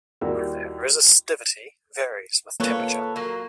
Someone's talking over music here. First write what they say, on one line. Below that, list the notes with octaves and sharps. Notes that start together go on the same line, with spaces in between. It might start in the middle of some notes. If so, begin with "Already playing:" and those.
Resistivity varies with temperature.
D#2 G3 E4 F#4 A#4 E6
A#3 A4 B4 C#5
F#3 A#3